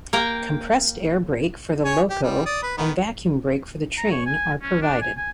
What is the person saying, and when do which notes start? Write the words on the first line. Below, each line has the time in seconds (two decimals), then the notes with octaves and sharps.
Compressed air brake for the loco and vacuum brake for the train are provided.
0.13 A#3 A#4 G5
1.85 C#5 G#5
2.10 G4
2.23 G3
2.46 D5 D#6
2.63 B4
2.78 D#3 B3
3.97 A#5
4.11 C#5
4.26 G#5
4.62 C#4
4.82 D4
5.01 G#5
5.17 G#5